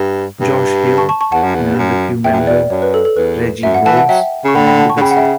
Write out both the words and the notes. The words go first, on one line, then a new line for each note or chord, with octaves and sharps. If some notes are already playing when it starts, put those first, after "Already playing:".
Josh Hayl and another crew member, Reggie Boles manned the vessel.
Already playing: G2
G2
A5 C#6
A5 C#6
A5 C#6
E2 F#5 A5
F#2
E2
G2
F#2
E2 E5 G5
F#2
E2
D5
F#2 C#5
B4
A4
A4
E2 B4
F#2 E5
F#5
E3 F#5 A5
F#5 A5
F#3 E5 G5
C#3 C#6
D3 G5 B5
G5 B5
F#5 A5
A5 C#6
D3
C#3 G5 B5
F#5
E5 G5